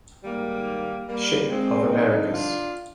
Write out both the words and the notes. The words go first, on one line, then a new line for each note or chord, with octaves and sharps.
Shipp of Americus.
G#2 D#3 G3 A#3
G3 A#3
G#3 C4
G2 D3 F3 C4 D#4
D4 F4